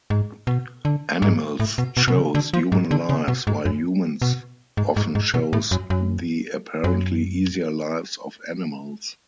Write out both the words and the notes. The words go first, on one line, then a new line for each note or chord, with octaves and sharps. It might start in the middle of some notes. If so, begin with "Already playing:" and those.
Animals chose human lives while humans often chose the apparently easier lives of animals.
G#2
B2
D3
G#2
A2
B2
B2
B2
C#3
D3
F3
G#2
D3
C#3
B2
G#2
F#2
B2
G#2
G#2
G#2
B2
A2
F#2
F#2
F#2